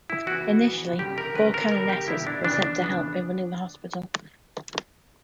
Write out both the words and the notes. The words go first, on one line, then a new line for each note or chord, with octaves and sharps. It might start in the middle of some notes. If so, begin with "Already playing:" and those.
Initially four canonesses were sent to help in running the hospital.
E4
E3 B3 F#4
E3 B3
D3 G3 C#4 G4
A#4
D3 G3 C#4 B4
A#4
D3 G3 B3 A#4
G4
D3 G3 B3 E4
D4
C#3 E3 B3 D4
C#3 E3 B3